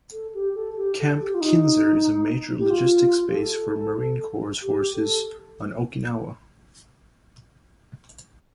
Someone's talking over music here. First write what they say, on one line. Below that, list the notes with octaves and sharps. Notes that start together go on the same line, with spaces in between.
Camp Kinser is a major logistics base for Marine Corps Forces on Okinawa.
A4
G4
A4
G4
A4
G4
F4
D#4
G4
F4
G4
A4
G4
A4